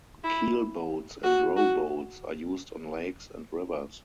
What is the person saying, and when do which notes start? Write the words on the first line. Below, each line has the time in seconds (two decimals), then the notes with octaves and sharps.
Keelboats and rowboats are used on lakes and rivers.
0.24 E4
1.24 F#4
1.57 F#4